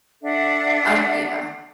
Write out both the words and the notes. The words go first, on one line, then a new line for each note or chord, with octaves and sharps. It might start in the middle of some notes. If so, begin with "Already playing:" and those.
I uh yeah.
D4 A4 E5 F#5